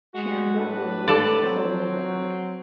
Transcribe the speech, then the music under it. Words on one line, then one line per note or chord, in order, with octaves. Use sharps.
Chandler will release a solo record.
G#3 F#4
A2 D4 B4
A4 D5
F#3 C4